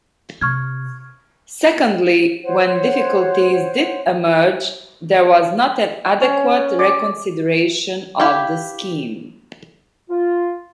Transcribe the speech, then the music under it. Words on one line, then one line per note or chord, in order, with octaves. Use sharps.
Secondly, when difficulties did emerge, there was not an adequate reconsideration of the scheme.
C3 C#6 F6 G#6
C5 C#5 F#5
C#4
D5
E4 G4 F5 G5
F4